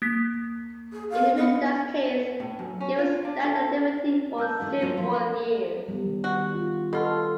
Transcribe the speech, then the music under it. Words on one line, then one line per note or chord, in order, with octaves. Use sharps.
In Veleda's case, she was left at liberty for several years.
A#3 B6
G#4
F5
B3
A2
F#2
C#4
F4
D4
A4
A#3 A5 E6 G6
D#3 A3 D4
F#3 A#3 F4
F3 F5 C6
G3 B3
D#3
F#4
F4
B2 F4 A4